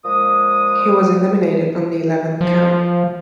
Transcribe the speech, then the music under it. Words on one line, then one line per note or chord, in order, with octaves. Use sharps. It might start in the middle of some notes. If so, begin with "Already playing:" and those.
He was eliminated on the eleventh count.
A#2 F3 G#3 D#6
F3